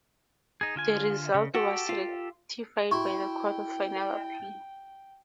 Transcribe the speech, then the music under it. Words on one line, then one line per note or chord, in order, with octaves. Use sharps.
The result was ratified by the Court of Final Appeal.
D#4 G#4
D3 F4 G#5
C#3
F#4 G4 A4
F4
E4 F#4 G5 C#6